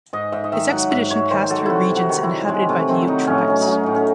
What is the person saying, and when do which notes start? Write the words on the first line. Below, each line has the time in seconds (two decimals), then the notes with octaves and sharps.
His expedition passed through regions inhabited by the Ute tribes.
0.13 G#2 D#5
0.32 G#2 E5
0.44 D#5
0.52 D#3 E5
0.71 F#3 F#5
0.91 G#2 E5
1.11 G#2 C#5
1.31 D#3 C5
1.50 F#3 A4
1.66 C3 E4 F#4
1.90 C3
1.97 F#4
2.09 D#3
2.23 E4
2.29 F#3
2.48 C3 G#3
2.69 C3 A3
2.88 D#3 C4
3.02 E4
3.07 F#3 D#4
3.27 A2 C#4
3.38 D#4
3.48 F#3 C#4
3.61 D#4
3.67 F#3
3.72 C#4
3.84 A2 D#4
3.95 C#4